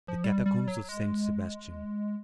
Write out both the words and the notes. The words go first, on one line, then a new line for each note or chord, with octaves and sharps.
The Catacombs of Saint Sebastian.
F3
G3
G3
F#3
G#3